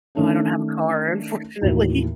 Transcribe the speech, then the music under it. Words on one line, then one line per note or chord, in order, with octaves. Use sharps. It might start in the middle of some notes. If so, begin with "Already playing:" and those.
Oh, I don't have a car, unfortunately.
D#3 A3 C#4 D4
D#2 A2 E3 F#4